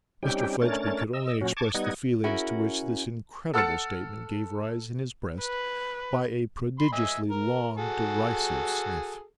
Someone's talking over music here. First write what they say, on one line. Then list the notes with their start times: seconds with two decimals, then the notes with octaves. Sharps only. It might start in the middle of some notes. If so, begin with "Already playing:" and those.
Mr Fledgeby could only express the feelings to which this incredible statement gave rise in his breast, by a prodigiously long derisive sniff.
0.23 G3 C4 C#4 D#4 G4 G5
0.62 A3 C#4 D4 A#4 C#5 A6
1.13 D#5 E6
1.41 A#2 F#3 C#4 F#4
1.57 A5 C#6 D6 G#6
1.74 G3 B3 D#4 D#5 F#5 G#6
2.24 C#4 E4 F#4 G#4 A#4
3.54 A4 F#5 E6 F6 A6 C#7
5.41 B4
6.79 B5 C6
6.93 D#5 E5 G#5
7.30 A#4
7.78 F#4 G#4 A4